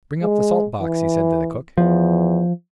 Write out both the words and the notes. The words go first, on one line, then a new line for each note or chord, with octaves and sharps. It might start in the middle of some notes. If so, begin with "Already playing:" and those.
"Bring up the salt box!" he said to the cook.
G#3
E3
E2 F3